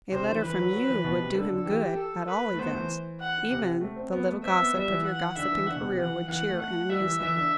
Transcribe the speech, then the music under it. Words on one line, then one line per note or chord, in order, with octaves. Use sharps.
A letter from you would do him good, at all events; even the little gossip of your gossiping career would cheer and amuse him.
C3 C5
D3
E3
E3 B4
F#3
F#3
E3
B2
C3
D3 A4
D3
E3 G4
A4
B4
A3
B3 C5
A3
E3
F#5
C3
A3
C4
B3
A3
C4 E5
B3
G3 E5
E3
F#5
D3 E5
E3
D3 F#5
B2
C3
E3 F#5
E3 F#5
A3
F#5
G3 E5
E3
E3 E5
D3